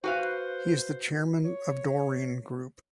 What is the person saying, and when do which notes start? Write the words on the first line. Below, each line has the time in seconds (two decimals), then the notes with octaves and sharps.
He is the Chairman of Doreen Group.
0.04 F#4 B4 C5 F5
1.45 C#5